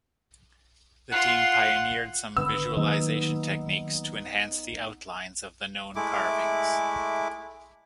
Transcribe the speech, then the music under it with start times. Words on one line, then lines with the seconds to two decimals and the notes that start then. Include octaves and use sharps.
The team pioneered some visualisation techniques to enhance the outlines of the known carvings.
1.12 F4 F#5 C6
2.37 G#1 D3 B3 E6
2.77 D#3 F#3 A#3 D#4
5.96 G#3 A3 E4 D6